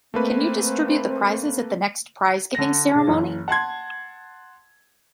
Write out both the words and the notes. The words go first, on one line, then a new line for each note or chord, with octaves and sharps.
Can you distribute the prizes at the next prize-giving ceremony?
A3 A#3 C4 B4
D3 A#6
C#3
F#1 E3
F#5 A5 C6 G#6